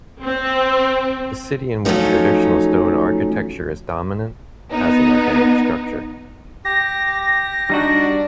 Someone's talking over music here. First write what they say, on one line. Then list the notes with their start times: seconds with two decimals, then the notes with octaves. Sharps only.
The city in which traditional stone architecture is dominant, has an organic structure.
0.24 C4
1.85 F3 F#3 A3 C#4 D#4
4.72 B3 D#4
6.65 G4 A#6
7.70 G3 D4 D#4 F#4